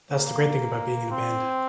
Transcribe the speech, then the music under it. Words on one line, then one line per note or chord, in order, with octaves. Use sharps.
That's the great thing about being in a band.
A#3
C4